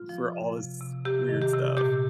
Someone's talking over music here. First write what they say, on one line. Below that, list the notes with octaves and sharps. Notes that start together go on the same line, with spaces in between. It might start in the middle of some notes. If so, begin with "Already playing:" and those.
for all this weird stuff.
Already playing: F4
F3
C3
C3
C3
C3 G4
D#3
G4
C3
A#2 G4